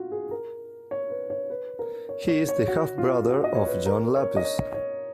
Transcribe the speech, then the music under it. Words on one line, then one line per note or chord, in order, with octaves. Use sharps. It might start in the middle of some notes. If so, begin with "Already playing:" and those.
He is the half-brother of John Lapus.
Already playing: F4 F#4
G#4
A#4
C#5
B4
C#5
B4
A#4
C#5
C#5
C#5
F#4
F4
F#4
D#5
C#5
B4
A#4
C#5
D#5
C#5
C#5